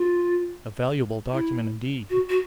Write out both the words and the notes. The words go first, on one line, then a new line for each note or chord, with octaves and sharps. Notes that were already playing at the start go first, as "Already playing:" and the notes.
'A valuable document, indeed!'
Already playing: F4
E4
F#4
F#4